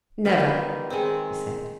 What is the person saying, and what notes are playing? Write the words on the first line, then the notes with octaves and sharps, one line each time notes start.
"Never!" he said.
D#3 G3 B3 D#4 F4
D#3 G#3 C4